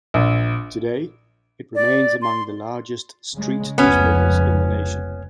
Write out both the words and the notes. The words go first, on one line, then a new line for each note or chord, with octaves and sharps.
Today, it remains among the largest street newspapers in the nation.
A#1
D5
C6
C#3 G#3
F1 C#2 B3 C#4